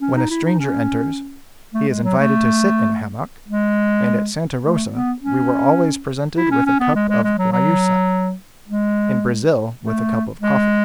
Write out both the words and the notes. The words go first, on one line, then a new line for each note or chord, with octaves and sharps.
When a stranger enters, he is invited to sit in a hammock; and at Santa Rosa we were always presented with a cup of guayusa; in Brazil with a cup of coffee.
C#4
D#4
E4
D#4
C#4
A3
G#3
F#3
A3
G#3
A3
B3
C#4
E4
C#4
C#4
B3
G#3
G#3
G#3
F#3
F#3
G#3
A3
G#3